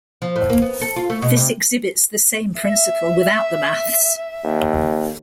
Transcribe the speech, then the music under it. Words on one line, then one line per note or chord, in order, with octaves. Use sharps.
This exhibits the same principle without the maths.
F3
A2
A#3
B3
A4
F4
A3
B2
C3
E5
D#2